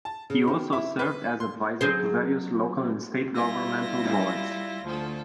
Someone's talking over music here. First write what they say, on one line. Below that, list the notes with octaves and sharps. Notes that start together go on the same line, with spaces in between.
He also served as advisor to various local and state governmental boards.
A5
C#3
D#3
E4
B4
C6
F#3 G#4 C5
G3 E4 F4 A#6
D2 F3 A4